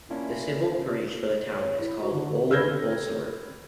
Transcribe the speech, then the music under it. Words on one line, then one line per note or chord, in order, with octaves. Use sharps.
The civil parish for the town is called Old Bolsover.
A#3 C#4 D4 E4 F4
C#5
E4
F#4
D3
B4 E6 F6 G6 G#6 A#6